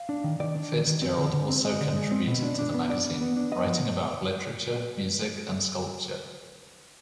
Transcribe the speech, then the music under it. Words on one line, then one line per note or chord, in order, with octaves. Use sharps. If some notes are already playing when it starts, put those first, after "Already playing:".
Fitzgerald also contributed to the magazine, writing about literature, music, and sculpture.
Already playing: F5
D4
D#3
D#3 D5
D4
D#3
D#3
C4
D3
D3
C4
G#3 D#5
D3
G#3
C4
B2
D4
D4
B3
D4 D5
B3
B3
D4
B3 D#5
F3